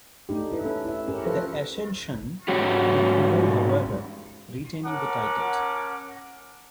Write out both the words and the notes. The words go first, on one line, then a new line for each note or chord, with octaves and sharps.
The Ascension would prevail however, retaining the titles.
A3 D4 D#4 G4
E4 B4
C#4 A4
E4 E5
C#4 G4 A#4
F3 F4 A4 B4 C5
G#2 C#4 F#4 G4
C#4 A#4 F#5 A5 D6